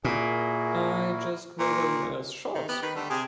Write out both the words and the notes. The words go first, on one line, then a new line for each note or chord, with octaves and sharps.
I just wear them as shorts.
A#2 E4 F#4 G#4 A#4
A#2
D#3
B3 G4
D#3 B4
D3 G3 A3
C3 G4 G#4 G#5